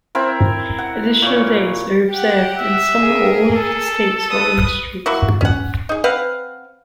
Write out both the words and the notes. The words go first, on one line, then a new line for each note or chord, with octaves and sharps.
Additional days are observed in some or all the states or industries.
C4 E4 A#4
F#5
A#2 C#5
G4 F#5
E5
G#4 A#4
A4
B4 D#6
F#3 A#3 E4 F#4
C#4 F#5
D#4 G#4
C4 B4 F5 F#5